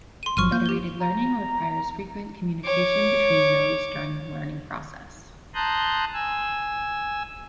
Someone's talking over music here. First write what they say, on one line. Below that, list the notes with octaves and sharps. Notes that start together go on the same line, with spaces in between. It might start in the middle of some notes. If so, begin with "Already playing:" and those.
Federated learning requires frequent communication between nodes during the learning process.
C6 D#7
G1 F3 F#3 C#6 F6 D#7
A#3 G6
G4 G7
A#5
C#5 D6
A5 A#5 C6 D#6 F#6 G6
G#5 E6